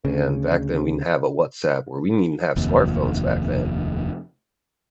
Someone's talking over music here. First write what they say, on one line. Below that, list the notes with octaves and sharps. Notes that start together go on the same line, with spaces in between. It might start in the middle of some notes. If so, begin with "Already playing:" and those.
And back then, we didn't have a WhatsApp or we didn't even have smartphones back then.
D2 C#3
F1 D#2